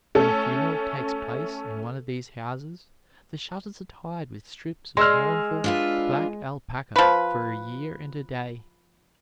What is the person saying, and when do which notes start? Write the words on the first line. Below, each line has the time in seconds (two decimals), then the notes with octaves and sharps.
When a funeral takes place in one of these houses, the shutters are tied with strips of mournful, black alpaca for a year and a day.
0.15 A3 C#4 A4
4.97 G#3 C6 E6 F6
5.64 D4 F4 B4
6.96 F3 B4